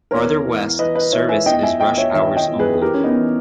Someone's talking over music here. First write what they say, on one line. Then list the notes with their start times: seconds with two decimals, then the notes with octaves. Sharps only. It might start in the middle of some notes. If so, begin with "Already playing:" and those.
Farther west, service is rush hours only.
0.11 E2 A#4 C#5
0.45 E3
0.79 E3 B4 D#5
0.95 B4 D#5
1.12 E3 C#5 E5
1.29 E5 G#5
1.46 E2 D#5 G5
1.63 E5 G#5
1.80 E2 D#5 G5
1.98 C#5 E5
2.14 D#3 C#5 E5
2.36 D#5 G5
2.48 E2
2.59 G#4 B4
2.74 G#4
2.82 E3 G4 A#4
2.94 C#4
3.04 B3 D#4
3.15 E3